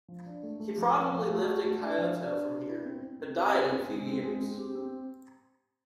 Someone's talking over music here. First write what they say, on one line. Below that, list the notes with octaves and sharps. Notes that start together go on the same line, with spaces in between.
He probably lived in Kyoto from here but died in few years.
F3
D4
A3
A3
F3
F3
F3
A3
F#4
A3
D4
F3
D4
D4
D4
E4
C4
C4
C4
G4
C4
C4
G#3
C4
G#3
C4
G4
C4